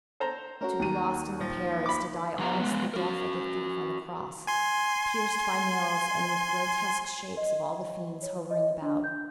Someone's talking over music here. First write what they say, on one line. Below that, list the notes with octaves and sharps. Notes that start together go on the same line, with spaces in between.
To be lost in the pear is to die almost the death of the thief on the cross, pierced by nails and with grotesque shapes of all the fiends hovering about.
A4 C5 A#5
A3 C#4 F#4 A#4
D#2 D#7
A#2 F3 A#6
B5 D6
F2 G3 B3 A#5
G#3 B3
F#4 A#4
G#5 C6
D#5
C#5
D#5
D4
G6